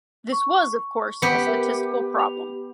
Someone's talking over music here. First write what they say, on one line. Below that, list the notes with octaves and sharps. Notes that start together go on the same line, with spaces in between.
This was of course a statistical problem.
C#6
B3 G4
A#4 E5
F7